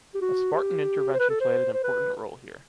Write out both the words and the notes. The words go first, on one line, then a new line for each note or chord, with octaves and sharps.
A spartan intervention played an important role here.
G4
F#4
G4
C5
B4
A4
C5
C5
B4